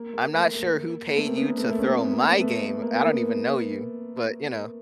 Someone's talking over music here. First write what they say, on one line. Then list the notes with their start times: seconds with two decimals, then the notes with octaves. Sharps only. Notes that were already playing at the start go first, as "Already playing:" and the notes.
"I'm not sure who paid you to throw my game. I don't even know you," but, you know.
Already playing: A#3
0.13 A#3
0.34 A3
0.55 A#3
1.07 A#3
1.16 A3 B3
1.26 A#3 C4
1.37 B3 C#4
1.47 A#3 C4
1.57 A3 B3
1.64 A#3
1.68 A3
1.78 B3 C#4
1.89 C#4
1.97 C4
2.05 B3
2.12 A#3 C4
2.40 A3 B3
2.82 A#3
2.94 B3
3.03 A#3